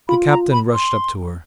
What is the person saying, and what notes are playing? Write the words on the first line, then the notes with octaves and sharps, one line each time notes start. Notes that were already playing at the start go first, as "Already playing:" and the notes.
The captain rushed up to her.
F4 B5
A#5
B5
C6